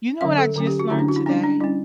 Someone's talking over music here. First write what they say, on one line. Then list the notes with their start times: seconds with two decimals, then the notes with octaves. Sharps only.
you know what I just learned today?
0.21 D3 F#3 C#4 E5
0.38 A4
0.56 D3 F#3 C#4
0.67 G4
0.79 F#4
0.90 D3 F#3 C#4 E4
0.99 D4
1.08 F#4
1.16 E4
1.26 G3 C#4 D4
1.44 D4
1.60 G3 C#4 E4